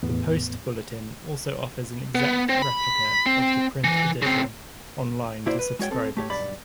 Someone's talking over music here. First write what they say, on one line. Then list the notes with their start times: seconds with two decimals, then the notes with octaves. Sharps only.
The "Post-Bulletin" also offers an exact replica of the print edition online to subscribers.
0.03 E2 A2 B3
2.15 B3
2.49 C4
2.62 B5
3.26 C4
3.84 E3
4.22 C#3 C4
5.46 A#2 A#3 E4 F#4 C5 D5
5.59 B4
5.79 G#3 F#4 C#5 G5
5.91 C4 A4
6.17 A3 G4 C#5
6.30 B1 G2 D5 B5